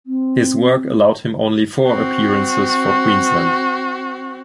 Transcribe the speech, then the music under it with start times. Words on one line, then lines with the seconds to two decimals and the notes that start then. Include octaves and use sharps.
His work allowed him only four appearances for Queensland.
0.06 C4
1.85 C4 F#4